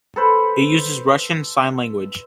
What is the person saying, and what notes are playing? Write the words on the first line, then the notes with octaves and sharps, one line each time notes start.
It uses Russian Sign Language.
A4 B4 C5